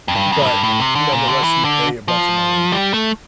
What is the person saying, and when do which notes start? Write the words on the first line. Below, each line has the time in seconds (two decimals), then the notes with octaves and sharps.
But nonetheless, you pay a bunch of money
0.08 F2
0.16 G2
0.32 F2
0.40 A2
0.47 G2
0.63 A2
0.80 C3
0.95 D3
1.12 A#2
1.28 D3
1.44 E3
1.65 D3
2.08 F3
2.72 G3
2.94 A3